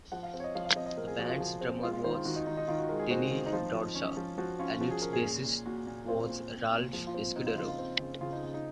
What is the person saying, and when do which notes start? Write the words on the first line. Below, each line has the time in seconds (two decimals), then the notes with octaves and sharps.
The band's drummer was Tiny Bradshaw and its bassist was Ralph Escudero.
0.12 F3 F#5
0.23 F5
0.34 C4
0.40 C#5
0.44 D#5
0.55 F3 F5
0.65 F5
0.76 C4 D#5
0.86 D#5
0.97 C4 A#4
1.08 G#4
1.19 F3 F#4
1.29 F4
1.40 F3
1.61 C4
1.82 G#3 F4
1.93 F4
2.04 D#3 C5
2.15 F4
2.25 D#3 F#4
2.36 D#4
2.47 D#3 D#4
2.57 D#4
2.68 D#3 F4
2.78 F#4
2.89 G#3 A#4
2.99 G#4
3.11 C4 F#4
3.31 D#3
3.46 D#4
3.52 F3 F4
3.74 F3
3.95 C#4
4.17 F3
4.38 F3 F#4
4.59 C#4 F4
4.81 F3 F#4
4.91 G#4
5.02 C#4 A#4
5.13 G#4
5.23 A#2
5.44 A#2
5.66 A#2 F#4
5.87 A#2
6.08 C4 F4
6.29 A#2
6.51 C4
6.72 A#2
6.93 F3
7.07 F4
7.14 C4
7.36 C4 D#4
7.46 F4
7.57 C#3 F4
7.68 F4
7.79 C4
8.00 C#3
8.21 C#3 F4
8.33 D#4
8.42 C#3
8.54 D#4